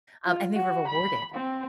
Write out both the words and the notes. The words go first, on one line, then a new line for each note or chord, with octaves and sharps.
Um, and they were rewarded
F4
F#4
B5
C4